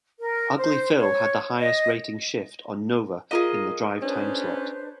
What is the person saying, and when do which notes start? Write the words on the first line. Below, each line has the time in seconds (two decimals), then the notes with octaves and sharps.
Ugly Phil had the highest rating shift on Nova in the drive timeslot.
0.21 A#4
0.58 C5
0.99 C#5
1.60 D#5
3.31 F4 G#4 A#4 D#5 F5
4.02 C#4 D4 B4 C5